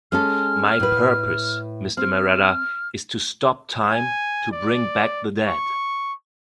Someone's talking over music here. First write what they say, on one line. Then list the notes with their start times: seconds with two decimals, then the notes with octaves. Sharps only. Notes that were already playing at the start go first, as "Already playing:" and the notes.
My purpose, Mr. Marratta, is to stop time, to bring back the dead.
0.12 G#3 C#4 A4 F6
0.80 A2 B4
1.97 C4 F6
3.91 G#5
4.52 D5
5.46 C#6